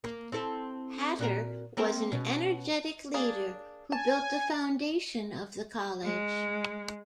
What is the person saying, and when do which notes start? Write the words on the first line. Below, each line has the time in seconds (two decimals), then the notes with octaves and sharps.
Hatter was an energetic leader who built the foundation of the College.
0.04 A#3
0.32 C4 E4 A4
1.19 A#2 F#4 A#4
1.77 A#3 C4 A#4
2.12 B2 C#4
3.14 A#3 D4 G#4
3.92 G#5 A5
6.03 G#3